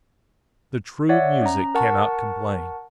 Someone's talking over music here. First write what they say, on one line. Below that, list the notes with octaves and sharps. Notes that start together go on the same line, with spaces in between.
The true music cannot complain.
C#5 D5 E5 F#5
C#4 A#5
A#4 F#5 A5 C#6